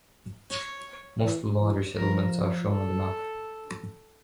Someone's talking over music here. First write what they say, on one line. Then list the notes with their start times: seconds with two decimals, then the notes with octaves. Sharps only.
Most of the larger settlements are shown on the map.
0.51 C#5
1.24 E3
1.61 E3
1.97 F3 A#4
2.69 A4